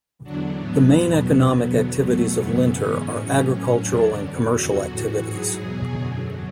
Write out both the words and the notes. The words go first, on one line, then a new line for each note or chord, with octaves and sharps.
The main economic activities of Linter are agricultural and commercial activities.
E2 D3 F#3 D4
A2 F#3 B3
E2 B2 F#3 B3
E2 B2 F#3 B3
E2 D3 F#3
E2 B2 F#3 A3
F#2 C#3 E3 B3
G#2 E3 C#4
A2 F#3 C#4
A2 F#3
E2 D3 F#3 D4
F#2 D3 F#3
E2 D3 F#3 F#4
A2 E3 F#4
G#2 F#3 G#4
E2 B2 F#3
F#2 D3 F#3